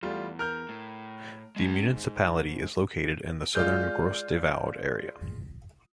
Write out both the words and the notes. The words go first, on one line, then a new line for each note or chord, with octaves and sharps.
The municipality is located in the southern Gros-de-Vaud area.
E2 G3 A3 F4
A#4 F6 G6
A2
G#3 C#4
B1 G#2
G#3 F4 D5 F6 G6